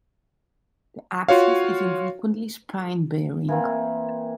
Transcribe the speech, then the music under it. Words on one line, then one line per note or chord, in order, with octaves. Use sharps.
The axis is infrequently spine-bearing.
F4 F#4 C#5 F5
E3 A#3 C4